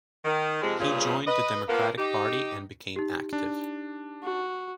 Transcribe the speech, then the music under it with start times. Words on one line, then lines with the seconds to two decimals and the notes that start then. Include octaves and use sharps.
He joined the Democratic Party and became active.
0.24 D#3
0.62 F2 C3 G#3
0.80 G2 A#2 C#3 F3 G3 G#4
1.27 B4 D#5
1.68 F3 A#3 B3
1.97 D#4 G4
2.96 D#4 G4
3.33 D4
4.23 F#4